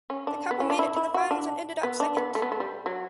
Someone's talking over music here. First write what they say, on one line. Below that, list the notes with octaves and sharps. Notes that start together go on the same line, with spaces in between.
The couple made it to the finals and ended up second.
C#4
D4
B3
C#4
D4
E4
E4
F#4
D4
B3
D4
B3
A3
B3
A3
G3
F#3